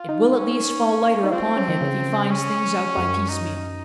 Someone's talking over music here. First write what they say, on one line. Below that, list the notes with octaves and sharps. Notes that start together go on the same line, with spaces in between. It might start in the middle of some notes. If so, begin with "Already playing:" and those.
It will at least fall lighter upon him if he find things out by piecemeal.
Already playing: F4
D#4
C#4
D#4
C4 F4
C#4
D#3
C#3
C#4
F2
F#2
D#4